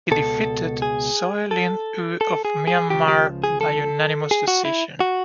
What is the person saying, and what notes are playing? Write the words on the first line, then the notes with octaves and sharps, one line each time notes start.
He defeated Soe Lin Oo of Myanmar by unanimous decision.
C#2 B2 A4
G#4
A4
A4
G#4
G#4
C#2 C#3 F3 G4
G4
G#4
A4
G#4
F#4
E4
F#4